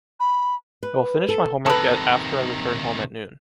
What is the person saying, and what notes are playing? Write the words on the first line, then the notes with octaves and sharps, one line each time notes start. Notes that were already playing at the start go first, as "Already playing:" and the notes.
I will finish my homework after I return home at noon.
B5
B4
A4
C3 D#3 A4 B4